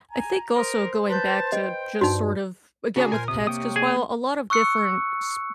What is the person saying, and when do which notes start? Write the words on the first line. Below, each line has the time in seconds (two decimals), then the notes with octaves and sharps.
I think also going back to just sort of again with pets, 'cause while a lot of different s
0.11 G#5 A#5
0.56 A#4 C5 C6 D#6
1.10 B4 A5 G6
1.52 D#5 G5
2.01 G2 D#4 F#4
2.96 C#3 D4 F#4 G#4
3.12 A#2 A#4 C5 G#5
3.28 C3 D#6
3.47 A#3 C#5 G5 D#6
3.76 G#4 G#5
4.50 C#6 E6 F#6 C#7